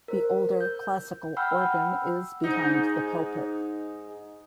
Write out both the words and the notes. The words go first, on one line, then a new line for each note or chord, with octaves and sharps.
The older, Classical organ is behind the pulpit.
A#4 C5
G6
F#5 G5 B5 E6 F6 G6
G#2 D#4